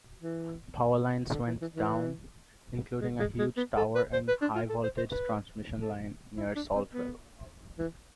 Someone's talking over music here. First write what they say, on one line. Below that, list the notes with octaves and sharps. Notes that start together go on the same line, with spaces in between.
Power lines went down, including a huge tower and high-voltage transmission line near Saltwell.
E3
D3
E3
E3
E3
G#3
G#3
G#3
B3
A4
B4
C5
B4
D4
F4
A4
C5
C5
B4
A4
E4
D4
C4
B3
E3